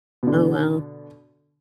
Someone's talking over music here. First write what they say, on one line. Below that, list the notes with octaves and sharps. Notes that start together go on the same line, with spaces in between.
Oh, well.
B2 D3